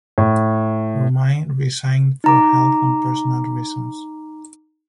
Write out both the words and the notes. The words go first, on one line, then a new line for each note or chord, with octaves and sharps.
Romine resigned for health and personal reasons.
A2
D#4 A#5 D6